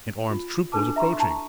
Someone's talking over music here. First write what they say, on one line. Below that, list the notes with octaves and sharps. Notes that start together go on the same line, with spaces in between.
An armed troop was approaching.
F4
D4 A4 B4 A5 D6
E5 A#5 C6 C#6
E4 A5 A#5 C#6